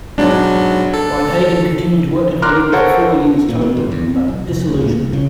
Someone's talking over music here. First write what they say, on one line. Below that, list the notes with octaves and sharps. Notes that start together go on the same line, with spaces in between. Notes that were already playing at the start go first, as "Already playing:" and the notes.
Rein-Hagen continued to work in Hollywood for four years total, but disillusioned.
B1 G#2 F#3 D4
A4
A#4 A#5 C6 D6 F6 F#6
A4 A#4 C5 C#5 F#5
A#2
B2
G1
E2
C4
B1
F1
D2
A#2
C2
C#3